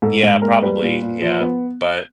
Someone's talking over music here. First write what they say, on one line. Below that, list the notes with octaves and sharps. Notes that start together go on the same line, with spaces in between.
yeah, probably, yeah, but
G#2 A4
G#2
A#3 A#4
G3 B4
A#2
A#2
F3
B3